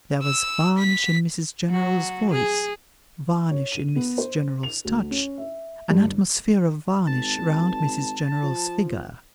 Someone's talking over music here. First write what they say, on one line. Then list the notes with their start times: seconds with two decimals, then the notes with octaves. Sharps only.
There was varnish in Mrs General's voice, varnish in Mrs General's touch, an atmosphere of varnish round Mrs General's figure.
0.22 E6
0.78 B6
1.70 F#3 F#4
2.30 G#4
3.51 C#5
3.72 D#7
3.96 B3
4.18 C5
4.63 F7
4.85 D2
5.11 C#4
5.38 E5
5.90 G2
6.04 G1
7.07 G#1 A5
8.43 F3